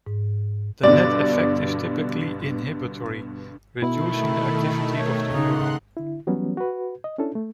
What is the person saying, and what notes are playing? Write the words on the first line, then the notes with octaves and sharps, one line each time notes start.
The net effect is typically inhibitory, reducing the activity of the neuron.
G#2
G2 B2 D3 D5
B2 D#3 A3 E4
C#5
C#3 D#4 F#5 C6 F#6
D3 E4
E3 F#3 G3 B3 C#4
F#4 B4
D#5
C#4 D4 E4 A4
A3